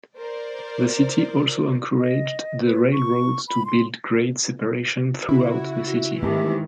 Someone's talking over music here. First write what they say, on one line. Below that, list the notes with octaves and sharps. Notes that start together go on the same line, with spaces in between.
The city also encouraged the railroads to build grade separation throughout the city.
A#4 C5 D5
D#5
B4
C#6
B5
C6
C#3 E4 F#4
G#2 D#3 E3 A3 A#3 C4 G4